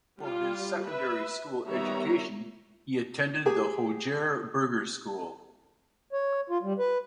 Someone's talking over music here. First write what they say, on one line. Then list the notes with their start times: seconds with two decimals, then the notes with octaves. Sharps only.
For his secondary school education he attended the Hogere Burgerschool.
0.19 G3 F4
0.86 B4 E5
1.66 D#3 G3 B3 C#5 E5 A#5
3.45 G4 G#4 G#5
6.13 C#5
6.50 F4
6.63 G3
6.79 B4